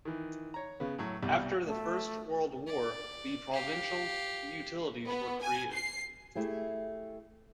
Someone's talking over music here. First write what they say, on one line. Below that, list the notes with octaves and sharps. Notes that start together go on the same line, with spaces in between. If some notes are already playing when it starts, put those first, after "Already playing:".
After the First World War, the provincial utilities were created.
D#3 E3
C#5 A#5
C#3 B3
A2 F#3
C2 B2 G3
A3
D5
G4 F5
B3
G#5
C7
A3 E4 G4 G#4